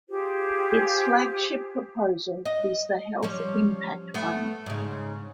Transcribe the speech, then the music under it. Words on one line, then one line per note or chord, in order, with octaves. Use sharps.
Its flagship proposal is the Health Impact Fund.
F4 G4 G#4 C5
D#5
F3 G3 C#4
A3 B3
G#2 C#3